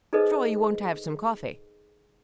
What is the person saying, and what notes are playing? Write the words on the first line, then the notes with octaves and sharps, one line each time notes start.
"Sure you won't have some coffee?"
D#4 G#4 A4 B4 C5 D#5